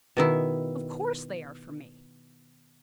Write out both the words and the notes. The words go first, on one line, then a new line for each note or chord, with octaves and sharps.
Of course they are for me.'
B2 D#3 E4